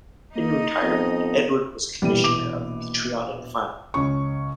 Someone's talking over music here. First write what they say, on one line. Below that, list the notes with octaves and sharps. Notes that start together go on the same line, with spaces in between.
In retirement Edward was a commissioner of the Patriotic Fund.
A#3 D#4 D#5
F2 B3
A#1 B2 E3 G3 D#7
D6 F7
C#2 C#4 C#6